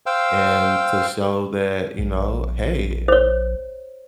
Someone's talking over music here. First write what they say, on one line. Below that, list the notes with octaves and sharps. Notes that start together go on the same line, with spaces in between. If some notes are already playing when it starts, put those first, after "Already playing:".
and to show that, you know, "Hey,
C5 F5 G5 E6
A#1
C5 C#5